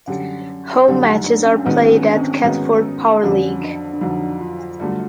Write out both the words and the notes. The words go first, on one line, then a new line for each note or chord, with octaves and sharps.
Home matches are played at Catford Powerleague.
F#2 D3 G3 C#4
F#2 D3 G3 D4
D#4
D4
C#4
G#2 D#3 F#3 B3 C4 D#4
C#4
D4
C4
C#4
G#2 D#3 F#3 B3 C#4 D#4
F2 D3 F#3 C#4
D4
D4
F2 D3 F#3 D#4
F4
G2 D3 F#3 A3